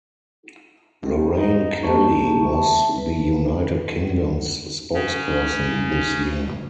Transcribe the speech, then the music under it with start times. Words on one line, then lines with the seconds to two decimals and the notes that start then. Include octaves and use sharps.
Lorraine Kelly was the United Kingdom's spokesperson this year.
1.03 D#3
1.37 D#4
1.83 A#3 G4 A5 C#6
2.49 E5 A5
2.98 B4
4.94 C#3 C#4